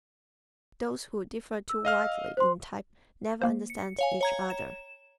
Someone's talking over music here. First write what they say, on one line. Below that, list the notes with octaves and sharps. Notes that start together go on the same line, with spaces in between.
Those who differ too widely in type never understand each other.
E6
D#5 F5 F6
C5 C6
A#3 C5
C#7
C#5 F5 G#5
C#5 A#5 G#6
E7